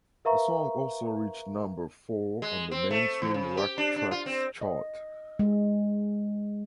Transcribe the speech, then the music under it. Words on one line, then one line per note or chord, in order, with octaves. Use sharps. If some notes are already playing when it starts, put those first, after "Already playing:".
The song also reached number four on the Mainstream Rock Tracks chart.
A#4 B4 E5 F5 A#5 C#6
G#3
C4
A3
E2
C#3
G4
D4
D4
F4
C4
D#5
G#3